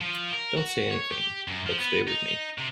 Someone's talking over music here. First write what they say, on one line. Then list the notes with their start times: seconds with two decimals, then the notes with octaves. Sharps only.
Don’t say anything; but stay with me.
0.01 F3
0.32 A#4
0.57 F#4
0.91 C#5
1.11 G4
1.48 F#2
1.66 F3
1.79 B3
2.08 D#4
2.58 C3